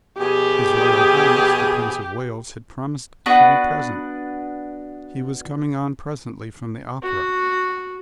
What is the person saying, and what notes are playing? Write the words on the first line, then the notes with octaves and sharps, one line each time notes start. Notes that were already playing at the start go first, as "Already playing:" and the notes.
His Royal Highness the Prince of Wales had promised to be present. He was coming on presently from the opera.
B2 F3 G4 G#4
B3 D4 F#4 B4
F#4